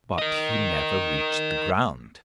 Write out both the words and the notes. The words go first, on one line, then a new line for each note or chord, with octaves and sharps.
But he never reached the ground.
A#4 D#5